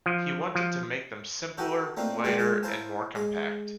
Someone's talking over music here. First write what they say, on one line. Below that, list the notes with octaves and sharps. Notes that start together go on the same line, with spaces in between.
He wanted to make them simpler, lighter, and more compact.
F3
F3
D#4 F#4 G4 A4 D#5 F#5
A3 A#3 C4 D4 D#4 F4
D2 G2 G#3 D4 F4 G4
G#3 D#5 F5
E4 A#4 C5 F5 G#5 A5
G#3 G#5